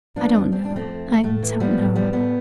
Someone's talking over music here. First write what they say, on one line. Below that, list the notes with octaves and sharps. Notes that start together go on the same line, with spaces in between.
"I don't know, I don't know."
F3 B3 D4
G2
E2 C4
D4
F3
A3 C4
F2
F2
A2 A3
E3
F3 G3 B3
A2
F3 G3 B3
A2 G3 B3